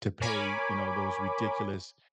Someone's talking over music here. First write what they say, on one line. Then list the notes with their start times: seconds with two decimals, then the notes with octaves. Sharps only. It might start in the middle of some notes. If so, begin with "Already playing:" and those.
to pay, you know, those ridiculous,
0.21 A#4 C#5 G#5 B5 D6